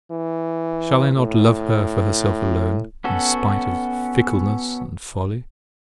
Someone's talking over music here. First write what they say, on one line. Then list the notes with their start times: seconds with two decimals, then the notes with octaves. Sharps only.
Shall I not love her for herself alone, in spite of fickleness and folly?
0.11 E3
1.16 A2
3.04 B3 C#4 F#4 A4